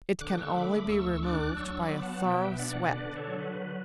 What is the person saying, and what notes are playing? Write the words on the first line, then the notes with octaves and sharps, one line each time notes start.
It can only be removed by a thorough sweat.
D3 D6 F#6
C#6 E6
A3 B5 D6
B5 D6
D2 C#6 E6
D4 D6 F#6
F#3 C#6 E6
E6
B5 D6
B3
F#5 A5
B2 E5 G5
D4 D5 F#5
D3 B4 D5
A4 C#5
F#3
B4
B4